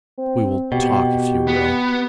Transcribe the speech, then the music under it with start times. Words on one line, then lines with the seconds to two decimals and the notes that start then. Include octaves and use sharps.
"We will talk, if you will."
0.18 C4
0.72 B2 G4
1.47 B3